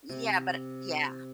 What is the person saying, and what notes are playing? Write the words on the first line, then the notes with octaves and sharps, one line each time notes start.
yeah but yeah.
C3